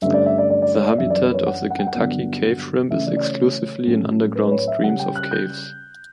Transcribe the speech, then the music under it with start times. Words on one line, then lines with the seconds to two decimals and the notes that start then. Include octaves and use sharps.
The habitat of the Kentucky cave shrimp is exclusively in underground streams of caves.
0.02 G2 D3 A3 C#4 E5
0.14 D5
0.26 E5
0.38 D5
0.50 D5
0.62 D5
0.75 C#5
0.86 D5
0.98 F#2 E3 G3 D4 E5
1.10 D5
1.23 B4
1.34 C#5
1.47 F#5
1.70 F#5
1.79 G5
1.87 F#5
1.95 G2 D3 F#3 B3 D4
2.90 C#3 E3 A3 C#4 E5
3.06 D5
3.17 D5
3.23 C#5
3.87 A2 F#3 C#4
4.35 B4
4.47 B4
4.51 C#5
4.67 E5
4.83 C#3 G3 C#4 F#5
4.99 G5
5.16 F#6
5.31 G6